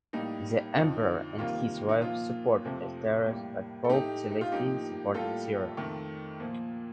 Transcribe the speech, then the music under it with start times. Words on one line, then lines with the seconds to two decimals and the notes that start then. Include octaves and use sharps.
The Emperor and his wife supported Nestorius, but Pope Celestine supported Cyril.
0.13 A2 G3 A#3 D#4
0.76 F2 D3 F3 D#4
1.38 C3 D#3 G3 A#3 F4
1.89 D#4
2.01 A#2 F3 A#3 F4
2.65 F2 C3 F3 A3
3.27 A2 G3 A#3
3.84 A4
3.89 A2 A3 D#4 G4
4.31 D#4
4.41 F4
4.52 A2 F3 A#3 D#4 G4
5.14 A2 G3 A#3 F4 A4
5.77 F2 D#3 A3
6.40 A#2 F3 A#3